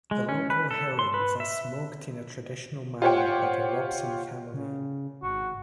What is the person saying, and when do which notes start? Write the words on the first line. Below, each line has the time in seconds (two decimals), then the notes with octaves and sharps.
The local herrings are smoked in a traditional manner by the Robson family.
0.11 G#3
0.29 C#4
0.50 B4
0.71 A4
0.99 C6
1.14 B4
1.40 E5
3.02 F4 G4 C5 C#5 F#5 G5
4.54 C#3
5.23 G#1 F#4